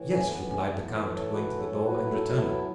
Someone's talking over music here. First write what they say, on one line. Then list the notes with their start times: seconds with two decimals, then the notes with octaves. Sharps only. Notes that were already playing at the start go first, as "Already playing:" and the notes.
"Yes," replied the count, going to the door, and returning.
Already playing: A2 E3
0.09 A3 C#4
0.19 A3
0.27 B3
0.44 A3 C#4
0.62 A3
0.80 A2 E3 A3 B3
1.14 A4 C#5
1.32 F#4 B4
1.58 A4 C#5
1.84 A2 F#3 A3 F#4 B4
2.10 E4 A4
2.36 B3 E4